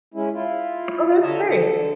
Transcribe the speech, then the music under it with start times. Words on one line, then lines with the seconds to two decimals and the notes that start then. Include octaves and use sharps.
Oh, that's great.
0.14 G#3 C#4 E4
0.33 E4 F4
1.22 D3 C#5 D#5 E5 A5 A#5
1.47 D3 A4